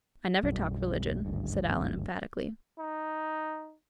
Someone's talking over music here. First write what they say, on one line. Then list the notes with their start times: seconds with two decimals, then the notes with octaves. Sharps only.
"I never talk religion," said Alan emphatically.
0.43 B1 F#2 G3
1.25 G#1 D2 G2
2.79 D#4